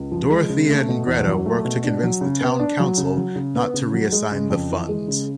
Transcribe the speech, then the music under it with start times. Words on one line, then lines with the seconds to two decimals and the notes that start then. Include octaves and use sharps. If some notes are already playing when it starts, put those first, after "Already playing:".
Dorothea and Greta work to convince the town council not to reassign the funds.
Already playing: C#2
0.12 F3
0.31 G#3
0.49 C#3
0.69 A3
0.89 B2
1.07 E2
1.27 F#3
1.46 A3
1.65 B2
1.84 D4
2.03 F#3
2.21 C#3
2.41 B3
2.59 D4
2.80 F#3
2.98 C#3
3.17 F#3
3.36 C#3
3.56 B3
3.74 C#3
3.93 F#3
4.12 G#3
4.32 C#3
4.50 F2
4.70 E3
4.89 G#3
5.08 C#3